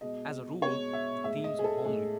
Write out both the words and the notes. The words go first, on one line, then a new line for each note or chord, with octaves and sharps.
As a rule the themes were homely.
B2 G#3 D#5
B2 G#3 C#5
E5
A2 G#3 E5
D#5
G#4
A4
A2 G#3 G#4